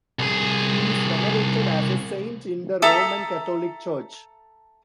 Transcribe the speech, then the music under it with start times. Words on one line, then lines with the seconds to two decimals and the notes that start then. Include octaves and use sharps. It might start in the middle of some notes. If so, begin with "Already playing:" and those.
He is venerated as a saint in the Roman Catholic Church.
0.19 C2 G#4
2.82 A4 E5 A#5 D#6